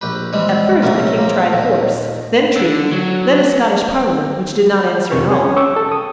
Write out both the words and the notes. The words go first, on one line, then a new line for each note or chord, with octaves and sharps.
At first the King tried force, then treaty, then a Scottish Parliament which did not answer at all.
A#1 G4 B4
E3 G3 G#3 C4
A#1 F#2 C3 A3 A#3 C#4
A#3 C4
D#2 A#2
D3
F#3
F2 C3 E3 C#6
G#4 C#5
C#4
G5 C#6 D6 E6
A4
D#6